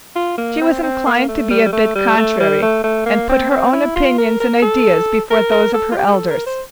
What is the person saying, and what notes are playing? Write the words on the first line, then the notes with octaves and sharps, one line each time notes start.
She was inclined to be a bit contrary, and put her own opinions and ideas before those of her elders.
F4
A#3
C4
C4
A#3
A3
G3
G3
A3
G3
A3
G3
A3
A3
A#3
C4
C4
E4
F4
A#4
A#4
A4
A#4
A#4
A4
F4
G4
A4
A#4
C5